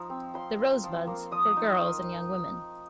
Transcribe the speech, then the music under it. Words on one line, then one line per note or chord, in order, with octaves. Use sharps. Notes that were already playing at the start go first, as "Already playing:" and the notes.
The Rosebuds, for girls and young women.
Already playing: F3 D#4 A#5
C4
F3 C6
F4
F3
A#3
F3 D#6
D#4
F4